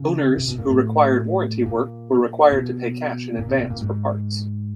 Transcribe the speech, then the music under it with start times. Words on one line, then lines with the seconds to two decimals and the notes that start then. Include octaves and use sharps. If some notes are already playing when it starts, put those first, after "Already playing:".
Owners who required warranty work were required to pay cash in advance for parts.
Already playing: C#3
0.37 C3
0.48 B2
0.58 A#2
0.70 A2
1.66 A#2
2.52 B2
3.39 A#2
3.49 B2
3.60 B2
3.70 A#2
3.81 G#2